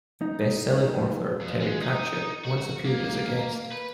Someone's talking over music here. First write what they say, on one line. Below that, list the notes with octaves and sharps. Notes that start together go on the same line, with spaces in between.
Bestselling author Terry Pratchett once appeared as a guest.
D#4
F2
G#3
D#4
F#4
F#4
A#3
A#3
B4